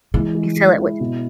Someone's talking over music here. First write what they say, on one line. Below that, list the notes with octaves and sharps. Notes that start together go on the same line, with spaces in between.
you fill it with
E3 G#3
G#3
G#3
E4
B2